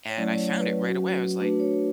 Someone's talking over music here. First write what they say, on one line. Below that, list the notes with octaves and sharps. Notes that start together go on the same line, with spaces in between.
and I found it right away. I was like,
C#5
F#3 A3 C#4 E4 D5
C#5
B4
F#3 C#4 F#4
A3 D4 F#4 B4
C#5